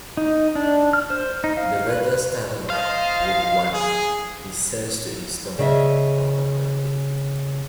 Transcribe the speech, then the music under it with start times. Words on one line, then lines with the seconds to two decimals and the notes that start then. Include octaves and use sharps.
The letters start off with one he sends to his daughter on her birthday.
0.17 D#4
0.55 D4
0.93 F6
1.10 C5
1.44 D#4
1.57 F5
1.90 B4
2.70 C5 D#5 F5 A5
3.73 G#4
5.59 C#3 D#5 E5